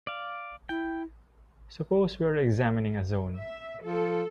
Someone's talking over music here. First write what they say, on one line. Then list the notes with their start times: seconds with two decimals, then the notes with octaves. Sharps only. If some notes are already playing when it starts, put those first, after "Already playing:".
Suppose we are examining a zone.
0.07 D5 F5
0.69 E4 G5
3.37 E5
3.83 F3 A4